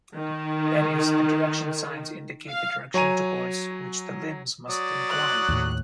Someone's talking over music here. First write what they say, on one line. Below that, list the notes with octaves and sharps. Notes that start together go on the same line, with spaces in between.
That is, "the direction signs indicate the direction towards which the limbs must incline".
D#3
F5
F#3 C#5 G#5 A#5 D#7
F#3 D5 D#6
F#6
D#2 A2